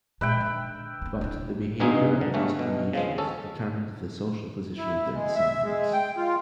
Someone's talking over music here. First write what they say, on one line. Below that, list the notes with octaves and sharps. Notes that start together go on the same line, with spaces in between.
But the behavior of these creations determined the social position of their descendants.
A#2 G#3 B4 E5 G5
D3
A#3 B3
D4 E4
G1 G2 B2 G#3 D#4 G#5
D3
G1 G2 A3 C#4
B1 B2
C#3 F3 G#3
C#4 A4
E4
G#3
E5
G#3
G5
F4